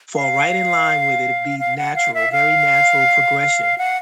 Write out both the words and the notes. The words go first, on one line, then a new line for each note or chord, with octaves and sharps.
fall right in line with it, it'd be natural, very natural progression
F5
F5
F#5
F5
E5
F5
F#5